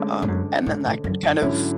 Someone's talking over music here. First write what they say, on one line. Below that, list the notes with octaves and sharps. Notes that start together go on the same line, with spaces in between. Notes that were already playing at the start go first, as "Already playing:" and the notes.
um, and then that could kind of
Already playing: D2 D3 G#3 C#4
G#2
F#2
G#2
A2
F#2
F#2
G#2 D3 F#3 C#4 E4